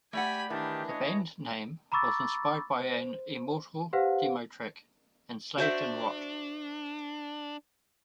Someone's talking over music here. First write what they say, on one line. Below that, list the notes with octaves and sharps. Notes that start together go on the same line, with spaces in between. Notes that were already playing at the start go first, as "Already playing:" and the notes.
The band name was inspired by an Immortal demo track, Enslaved in Rot.
A3 G4 D5 F#5 G#5 B5
D#3 E3 D4 G4 A5
C#5 D#5
A#5 B5 C#6 D6 E6 A6
C5
G4 B4 C5 F5 F#5
D4 F#4 C5 E5